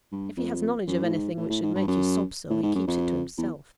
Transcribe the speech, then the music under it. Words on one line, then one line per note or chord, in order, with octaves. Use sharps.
If he has knowledge of anything which should make you sob so, he keeps it to himself.'
G2
F2
F#2
A2
G#2
A2
A2
G#2
G2
F#2
A2
G#2
F#2
F2
E2